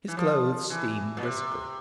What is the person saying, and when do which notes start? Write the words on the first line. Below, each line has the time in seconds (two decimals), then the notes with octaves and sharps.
His clothes steamed briskly.
0.08 E3
0.17 F3
0.70 E3
1.17 A#2
1.23 C3